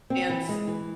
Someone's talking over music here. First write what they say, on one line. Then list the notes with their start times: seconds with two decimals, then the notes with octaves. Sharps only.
and s
0.10 C4
0.29 E3
0.49 G#3
0.68 E3